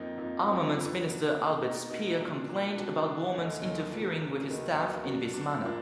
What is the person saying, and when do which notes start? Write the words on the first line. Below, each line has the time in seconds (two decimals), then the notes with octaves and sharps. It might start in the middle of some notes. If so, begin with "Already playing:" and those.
Armaments Minister Albert Speer complained about Bormann's interfering with his staff in this manner.
Already playing: F2 F3 A#3 D#4
0.18 F2 F3 A#3 D#4
0.46 F2 F3 B3 D#4
0.75 F2 F3 B3 D#4
1.04 B2 A#3 D4
1.33 B2 A#3 D4
1.62 B2 A#3 D#4
1.90 B2 A#3 D#4
2.19 A#2 F#3 D4
2.48 A#2 F#3 D4
2.76 B2 F#3 D4
3.05 B2 F#3 D4
3.33 D#2 D3 G#3 D#4
3.62 D#2 D3 G#3 D#4
3.90 A#2 F3 A#3 D4
4.19 A#2 F3 A#3 D4
4.48 D#2 D#3 F#3 B3
4.76 D#2 D#3 F#3 B3
5.05 B2 F#3 D4
5.34 B2 F#3 D4
5.62 A#2 F3 A#3 D4